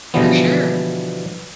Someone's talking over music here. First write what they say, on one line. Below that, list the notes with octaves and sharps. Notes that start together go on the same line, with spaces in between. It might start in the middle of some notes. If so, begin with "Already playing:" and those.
For sure.
B2 D3 E3 F3 G3 B3